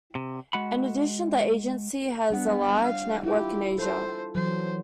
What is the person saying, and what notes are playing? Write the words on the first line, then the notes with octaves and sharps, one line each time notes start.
In addition, the agency has a large network in Asia.
C3
G#3 F#4 F#5 B5
G3 B3 D4 F#5
F5
E4 F4 G4
A4 C5
E3 F#3 C5